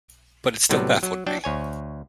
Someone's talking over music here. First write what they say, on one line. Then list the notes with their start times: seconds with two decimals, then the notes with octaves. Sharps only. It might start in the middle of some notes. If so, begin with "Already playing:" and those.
But it still baffled me.
0.70 A2 C3 F#3 G3 B3
1.03 F#3
1.26 F#3 D4 G5 A5
1.44 D2 C#5 G#5